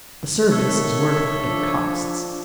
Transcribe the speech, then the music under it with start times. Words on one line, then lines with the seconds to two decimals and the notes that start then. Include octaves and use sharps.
A service is worth what it costs.
0.51 D#3 A4 C#5 E5
1.43 F3 D4